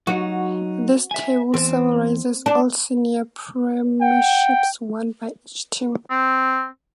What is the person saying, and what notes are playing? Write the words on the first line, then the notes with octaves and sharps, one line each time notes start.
This table summarises all senior premierships won by each team.
F#3 D#4 F#4
E5 G#5
E2 C4
D4
F#5 G5
C4